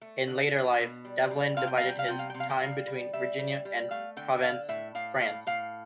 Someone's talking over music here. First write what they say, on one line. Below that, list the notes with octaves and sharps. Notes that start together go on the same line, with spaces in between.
In later life, Devlin divided his time between Virginia and Provence, France.
A3
D3
F3
B2
G3
G3
C3 F5
G5
F5
G3 G5
F5
C3 G5
F5
C3 G5
F5
G5
G3 F5
G3
G3 E5
G3
G3
A3 F5
D3 G5
D3 F5
A2 E5
A2 F5
A2 F5
A2 F5